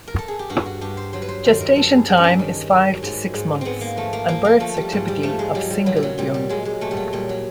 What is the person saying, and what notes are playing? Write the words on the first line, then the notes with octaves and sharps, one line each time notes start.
Gestation time is five to six months, and births are typically of single young.
A#4
A4
G#4
G4
G2 F#4
F#4
G2 G4
C5
F#3 C5
B4
C5
D#3 C5
A#4
G2 A4
G#4
G2 G#4
C#4
D4
D#3
F#3
G#2
G#2
G#2 B3 C4
A#3
F3 A3
A#3
F3 A#3
A#3
F3 A3
G3
G#2 G3
G3
F3 A3
G#3
F#3 G3
G3
A#2 F#3
G3
F#3
A#2 G3
G3
F#3 G#3
G#3
A#2 A3
G3
F#3
A#2 G3
F#3